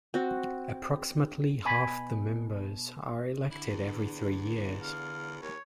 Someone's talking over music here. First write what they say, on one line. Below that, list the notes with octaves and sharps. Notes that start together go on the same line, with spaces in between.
Approximately half the members are elected every three years.
C4 F#4
B2 G#5 B5
D3 E4
E2
F5
D#2 C#5